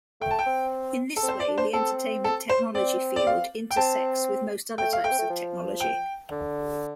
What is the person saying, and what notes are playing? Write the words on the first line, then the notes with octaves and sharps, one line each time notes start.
In this way, the entertainment technology field intersects with most other types of technology.
A3 G5
A5
G5
C4
A4
C4
C5
D5
D4
C5
C4 A4
A4
C5
C4 D5
D5
F5
G5
C4 A5
A3 G5
F5
A3 G5
C4
A3
F3
G5
D3